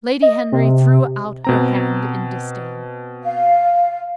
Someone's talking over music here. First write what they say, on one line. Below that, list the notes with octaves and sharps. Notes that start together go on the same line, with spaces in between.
Lady Henry threw out her hand in disdain.
D#5
C3
B2 C4 A#5
F5